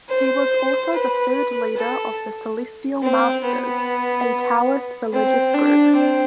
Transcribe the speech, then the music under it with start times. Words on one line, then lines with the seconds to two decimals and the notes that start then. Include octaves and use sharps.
He was also the third leader of the Celestial Masters, a Taoist religious group.
0.09 C5
0.93 B4
1.78 A4
3.03 C4
3.45 B3
5.13 C4
5.54 D4
5.96 C4